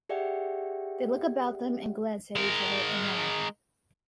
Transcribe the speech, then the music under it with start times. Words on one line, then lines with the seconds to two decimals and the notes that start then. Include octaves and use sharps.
They looked about them and glanced at each other and laughed.
0.09 G4 G#4 D5 E5 F#5 G5
2.36 G#3 A#4